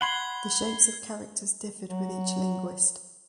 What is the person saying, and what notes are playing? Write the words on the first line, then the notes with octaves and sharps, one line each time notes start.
The shapes of characters differed with each linguist.
F#5 B5 C6 G#6 C7 G7
F#3